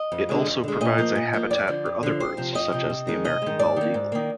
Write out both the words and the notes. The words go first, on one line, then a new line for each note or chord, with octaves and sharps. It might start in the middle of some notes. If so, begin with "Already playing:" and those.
It also provides a habitat for other birds, such as the American bald eagle.
Already playing: D#5
F2
D3 G#3
F2
D3 G#3
A#2 D#5
F3 A#3
A#2
F3 A#3
F2 D5
D3 F3
F2
D3 F3
F2 C5
C3 F3
F2 D#5
C3 F3
C3
D#3 G#3
C3 D#5
D#3 G#3
G#2 D5
D#3 A#3
G#2
D#3 A#3